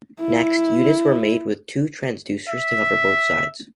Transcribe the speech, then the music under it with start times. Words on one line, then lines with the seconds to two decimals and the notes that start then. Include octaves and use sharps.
Next, units were made with two transducers to cover both sides.
0.21 E4
2.49 E5